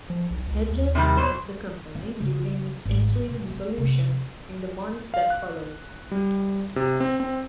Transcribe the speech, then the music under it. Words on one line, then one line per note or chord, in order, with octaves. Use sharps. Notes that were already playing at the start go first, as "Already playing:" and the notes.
Hedlund left the company during its ensuing dissolution in the months that followed.
F3
B1
C#2
D#2
C3 D#3 G3
B2 C5
C4
C#3
G#1
B2
B3
C3
F5
F#6
G3
C3
C4
C4